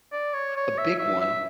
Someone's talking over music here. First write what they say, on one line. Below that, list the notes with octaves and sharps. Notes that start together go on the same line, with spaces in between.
A big one,
D5
C#5
C#5
E5
E5
E5